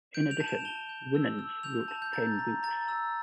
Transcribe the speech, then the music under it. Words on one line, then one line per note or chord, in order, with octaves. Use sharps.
In addition, Winans wrote ten books.
G6 D7
F7
A5 D7
E7
A5 G7
G6
E6
E6
G6 F7
A5
G6
A#5 A6
A#5
A#5 A6
E6